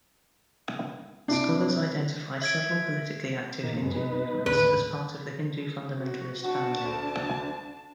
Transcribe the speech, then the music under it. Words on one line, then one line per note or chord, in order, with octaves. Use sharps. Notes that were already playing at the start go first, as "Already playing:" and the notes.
Scholars identify several politically active Hindu movements as part of the Hindu fundamentalist family.
C3 D4 E4 D7
E5 G#6 D7
A#2 D#3 A#3
F#2 G#3 B3
B3 D#4 B4
D#2 A2 D3 B4
F#4
D4 F#4 A5
D2